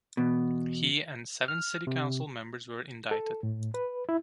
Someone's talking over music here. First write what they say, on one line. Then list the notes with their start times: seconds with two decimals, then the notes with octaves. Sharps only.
He and seven city council members were indicted.
0.17 E2 B2
1.48 F6
1.87 C3
3.11 A4
3.43 A2
3.74 B4
4.09 E4